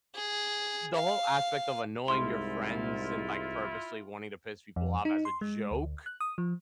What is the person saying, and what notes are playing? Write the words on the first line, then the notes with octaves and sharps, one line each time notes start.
the whole aspect of annoying your friends and, like, purposely wanting to piss people off as a joke
G#4
F5
C2 G#2 G#3 E4 F4 C6
F2
D#4
C6
G#3
D2
F#6
D#6
F3